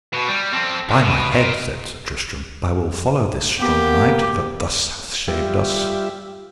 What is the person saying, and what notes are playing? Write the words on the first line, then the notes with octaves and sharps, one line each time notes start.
By my head, said Sir Tristram, I will follow this strong knight that thus hath shamed us.
B2
G3
C4 A4
D2 D#3
B2
A#2
A#3 B3 G4
G3 F4 G4 E5